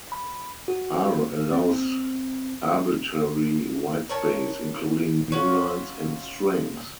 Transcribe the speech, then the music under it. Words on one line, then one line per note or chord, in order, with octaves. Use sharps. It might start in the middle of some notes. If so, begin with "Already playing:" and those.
R allows arbitrary whitespace, including newlines, in strings.
B5
F#4
C4
A#4 C#5 A5
C#4 F4 F#4